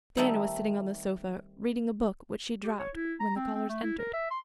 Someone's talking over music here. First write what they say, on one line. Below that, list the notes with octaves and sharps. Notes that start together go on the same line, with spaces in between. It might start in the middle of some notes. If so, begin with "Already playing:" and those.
Diana was sitting on the sofa, reading a book which she dropped when the callers entered.
D#3 G3 A3 C4 D#4 E4
G4
C#5
E4
A#5
C4
C4
A3
E4
A#4
E5
C6